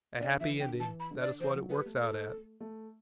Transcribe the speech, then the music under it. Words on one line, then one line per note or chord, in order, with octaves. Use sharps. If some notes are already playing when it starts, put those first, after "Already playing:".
A happy ending, that is what it works out at.
D3 D5
E3 E5
D3 G5
E3 A5
B5
D3
D5
E3 C5
F#3
G3 B4
A3
A4
A3